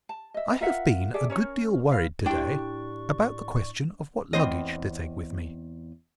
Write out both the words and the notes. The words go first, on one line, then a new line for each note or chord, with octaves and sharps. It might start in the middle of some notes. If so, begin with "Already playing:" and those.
I have been a good deal worried to-day about the question of what luggage to take with me.
A5
D#5 E5
F4 A#4 E5 F#5
G#4 A4 D5 E5
C#4 A#4 C#5
B4 F5
A2 D4 E4 G4 D5 G5 C#6
E2 C4 D#5